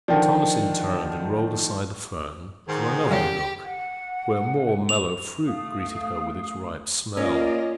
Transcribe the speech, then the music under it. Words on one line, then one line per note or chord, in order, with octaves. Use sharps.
Thomasin turned and rolled aside the fern from another nook, where more mellow fruit greeted her with its ripe smell.
D3 D#3 F3 D5 G5
G#2 D#3
F#2 C#3 G3 G4
F#5
F7
A3 F5 D#6
A#3 C#4 F4 A#4 D5 D#5